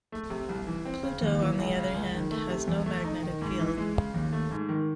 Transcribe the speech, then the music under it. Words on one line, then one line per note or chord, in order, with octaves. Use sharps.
Pluto, on the other hand, has no magnetic field.
A3
C3
C2
E3
C4
C#3
D#2
E3
C#2
C#3
C#2
D#3
A3
C3
E2
A3
D#4
D#3
G#2
E3
G#3
C#3
D#2
A3
G#2
D#3